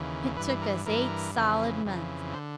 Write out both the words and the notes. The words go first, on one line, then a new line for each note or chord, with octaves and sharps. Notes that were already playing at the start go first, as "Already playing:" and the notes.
It took us eight solid months.
Already playing: D#2 C#3 E3
G2 E3 B4
B4
A#4
G2 E3 A#4
F2 C#3 E3
F2 C#3 E3
D3 C5